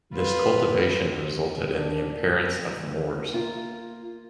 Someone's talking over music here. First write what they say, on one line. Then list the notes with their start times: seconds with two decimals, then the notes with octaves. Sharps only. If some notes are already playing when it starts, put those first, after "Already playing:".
This cultivation resulted in the appearance of moors.
0.14 F4 B4
1.77 D4
3.34 A#3 F4